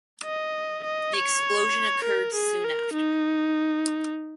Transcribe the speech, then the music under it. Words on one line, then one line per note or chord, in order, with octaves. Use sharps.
The explosion occurred soon after.
D#5
D#5
C#5
A#4
G#4
A#4
D#4